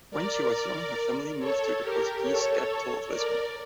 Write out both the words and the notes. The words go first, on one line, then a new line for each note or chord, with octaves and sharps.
When she was young her family moved to the Portuguese capital of Lisbon.
A#4 D5
A4 C#5
G4 A#4
A4 C#5
A#4 D5